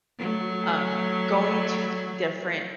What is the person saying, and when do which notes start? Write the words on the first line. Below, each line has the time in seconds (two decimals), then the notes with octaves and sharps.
um, going to th different
0.19 F#3 A3